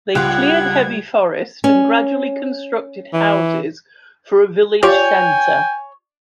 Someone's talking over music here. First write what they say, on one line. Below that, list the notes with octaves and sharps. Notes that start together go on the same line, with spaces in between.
They cleared heavy forest and gradually constructed houses for a village center.
C#2 G3 F4 G4 F#5 F#6 G#6
C#4
E3
F4 G4 C#5 D5 G5 G#5